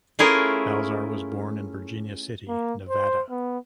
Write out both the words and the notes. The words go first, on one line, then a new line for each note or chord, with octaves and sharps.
Balzar was born in Virginia City, Nevada.
A3 C#4 E4 F4 G#4 A#4
A#3
C5
B3